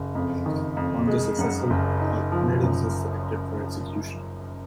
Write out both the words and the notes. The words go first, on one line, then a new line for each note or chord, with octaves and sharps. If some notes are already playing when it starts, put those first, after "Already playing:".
One of the successful alternatives is selected for execution.
Already playing: F#1
F2
D#3
F2
G#3
F#2
F#1
D#4
F3
F#2